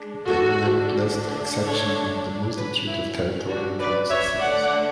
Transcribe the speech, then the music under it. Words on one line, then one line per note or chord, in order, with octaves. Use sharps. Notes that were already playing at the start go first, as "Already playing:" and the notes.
They were nevertheless the exception among the multitude of territorial towns and cities.
Already playing: G#3 D4
F#4 A4
D3 A3 D4
A4 C#5
F#3 C#4 G#4 B4
E4
D4 F#4
B4 D5
C#5 E5
D3 A3 D4 D5 F#5